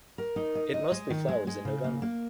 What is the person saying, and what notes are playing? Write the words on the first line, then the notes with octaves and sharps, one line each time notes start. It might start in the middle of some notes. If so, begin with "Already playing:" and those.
It mostly flowers in November.
A#4
D#4
D#5
D#5
G#3
D#3
G#3
G#3
C#3
A#3
A#3